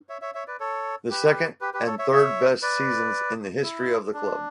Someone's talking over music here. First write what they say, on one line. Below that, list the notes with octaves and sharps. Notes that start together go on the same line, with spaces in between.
The second and third best seasons in the history of the club.
C#5 E5
C#5 E5
C#5 E5
B4 D5
A4 C#5
G4 B4
G4 B4
G4 B4
A4 C#5
C#5 E5
C#5 E5
B4 D5
E4
D4